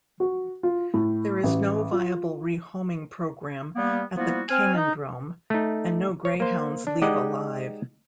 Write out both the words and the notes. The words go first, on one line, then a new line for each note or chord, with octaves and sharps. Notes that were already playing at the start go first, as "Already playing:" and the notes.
There is no viable rehoming program at the Canidrome, and no greyhounds leave alive.
F#4
F4
A2
A1
F4
G3 A#3 B3
F3 G3 A#3 B3 E4 F#4
C4 G#5 F6
D#4
A3 D#4
C#5
A#3 C5
D4
G#3 D#4 G4 D5 D#5 F#5